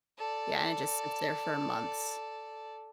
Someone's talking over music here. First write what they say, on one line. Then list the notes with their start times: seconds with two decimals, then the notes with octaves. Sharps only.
Yeah, and it just sits there for months.
0.18 A4 D5